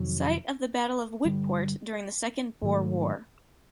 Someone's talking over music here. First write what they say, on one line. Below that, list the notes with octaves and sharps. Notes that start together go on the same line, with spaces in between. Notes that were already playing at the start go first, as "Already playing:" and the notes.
Site of the Battle of Witpoort during the Second Boer War.
Already playing: F2 C3 D#3 F#3
G2 D3 G3
G#2 D#3 F#3 A3